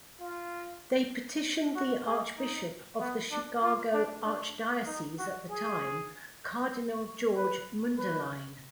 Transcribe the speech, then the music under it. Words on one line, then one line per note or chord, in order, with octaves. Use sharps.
They petitioned the Archbishop of the Chicago Archdiocese at the time, Cardinal George Mundelein.
F4
F#4
G#4
D#4
B3
D4
F4
D4
D4
D#4
F#4
G#4
B4
B4